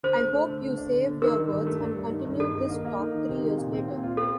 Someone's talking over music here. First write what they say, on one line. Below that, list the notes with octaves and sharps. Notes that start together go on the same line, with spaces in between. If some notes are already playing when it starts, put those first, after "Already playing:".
I hope you save your words and continue this talk three years later.
D3 C5
A3
A3
D3
D3
D4
D3
D3
D#3 A#4
D#3
G2
A3
D4
G2
D#3
G2
D#3 A4
D#4
A#3
A#3
D#4
D#3
C3
D#3
A#2
C4
A#2
F4
C4 A4